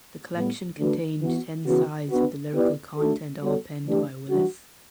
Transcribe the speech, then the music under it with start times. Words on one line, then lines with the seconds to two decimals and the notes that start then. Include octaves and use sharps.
The collection contained ten sides with the lyrical content all penned by Willis.
0.34 A2 G3 B3
0.78 D3 A3 D4 F#4 B4
1.21 E3 B3 F#4
1.65 C#3 E3 B3 F#4
2.09 B3 D4 F#4 B4
2.53 B3 E4 G4 B4 D5
2.97 A3 D4 F#4 A4
3.40 G3 B3 F#4 A4 C#5
3.85 E3 A3 D4 G4 D5
4.29 E3 G3 D4 F#4